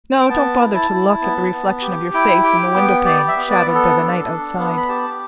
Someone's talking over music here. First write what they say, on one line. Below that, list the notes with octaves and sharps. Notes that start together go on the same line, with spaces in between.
No, don't bother to look at the reflection of your face in the window-pane shadowed by the night outside.
G5
B3 A5
E4
A5
E4
B3
B3
G4
E4 G5
G4 G5
B3 G5
G4 D5
E5
B3
D5
B3
A4
D4
D4
B3
B5
G4 A5